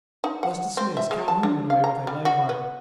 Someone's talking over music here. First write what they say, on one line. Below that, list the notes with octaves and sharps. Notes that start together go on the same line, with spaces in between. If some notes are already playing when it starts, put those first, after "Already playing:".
Thus dismissed Calhoun went away with a light heart.
D#4
F#5
C4
E5
G#3
A5
D4
F5
A#5
G3
F#4
B3